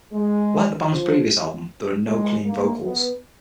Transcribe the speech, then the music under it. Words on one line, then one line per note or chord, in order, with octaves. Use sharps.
Like the band's previous album, there are no clean vocals.
G#3
F3
G#3
A#3
B3